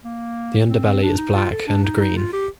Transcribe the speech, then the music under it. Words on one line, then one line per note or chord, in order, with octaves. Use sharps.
The underbelly is black and green.
A#3
C4
C4
D4
D#4
F4
A4
D4
D#4
D#4
F4
G4